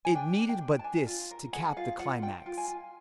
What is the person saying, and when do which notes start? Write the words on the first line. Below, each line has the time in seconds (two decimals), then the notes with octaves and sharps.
It needed but this to cap the climax.
0.05 G#5
0.15 D4 G5
0.39 D4
0.49 G5
0.61 D4
0.79 A5
0.84 D4 G#5
1.07 F4
1.31 A#4
1.53 G#4 F#5
1.77 F4 F5
1.99 F4 F#5
2.22 F4 G5
2.46 F4
2.58 G#5
2.68 F4